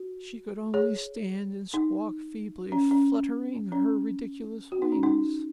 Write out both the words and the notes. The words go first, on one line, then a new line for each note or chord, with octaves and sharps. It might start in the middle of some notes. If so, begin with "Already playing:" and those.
She could only stand and squawk feebly, fluttering her ridiculous wings.
Already playing: F#4
G#4 C#5
D#4
C#4
C#4
C#4
F#4
D#4
C#4
D#4